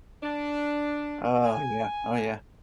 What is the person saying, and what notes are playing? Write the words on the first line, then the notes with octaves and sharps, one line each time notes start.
Oh, yeah, oh, yeah.
D4
G#5